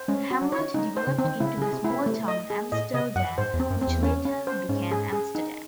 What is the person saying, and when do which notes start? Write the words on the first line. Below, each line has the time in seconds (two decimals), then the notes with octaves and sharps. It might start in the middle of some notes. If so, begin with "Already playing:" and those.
The hamlet developed into the small town "Amsteldam", which later became Amsterdam.
Already playing: C5
0.08 G#3 C#4
0.31 F#4
0.41 F#3
0.52 C#5
0.58 D#3
0.74 C#3 D#4
0.97 C5
1.07 C#3
1.18 C4
1.24 D#3
1.40 C#3 E4
1.57 C#3
1.62 G#4
1.73 C3
1.84 E4
1.90 C3
2.06 A3
2.28 D#5
2.50 G#4
2.72 A2 D#5
2.94 C3 D#5
3.15 F#2 F#5
3.38 G#2 C5
3.54 E2
3.60 C4
3.70 F#2
3.81 C4
3.87 E2
4.03 C#4
4.25 C#4
4.47 C5
4.69 G#2 C#4
4.91 G#4
5.13 G#4
5.35 D#4